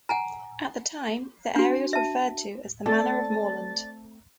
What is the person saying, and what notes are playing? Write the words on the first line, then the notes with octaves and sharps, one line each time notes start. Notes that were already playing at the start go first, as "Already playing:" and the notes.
At the time, the area was referred to as the "Manor of Mooreland".
F#5 G#5 A#5
D4 F#4
E5 A5
A3 C4 A4 D5 A6